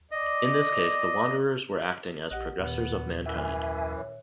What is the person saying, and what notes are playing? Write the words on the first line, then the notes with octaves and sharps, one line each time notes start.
In this case, the Wanderers were acting as progressors of mankind.
D5 D#5
A#1 G4 D#5 F#5 F#6
D#2 A#2 D#3 B3 F#6
F#2 E3 E5 F#5 G#5 E6
C#5 E5